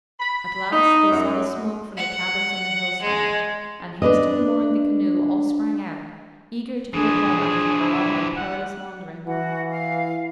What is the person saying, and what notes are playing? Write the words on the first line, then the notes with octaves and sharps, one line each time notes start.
At last they saw the smoke from the cabins on the hillside, and, hastily mooring the canoe, all sprang out, eager to be at home after their long and perilous wandering.
B5
D#4
F#2
F#5
G#3
D4 B4 D5 D#5
E3 F3 D4 G#4
D4 G#4
E4
F#5
E3 F#4 F#5
F5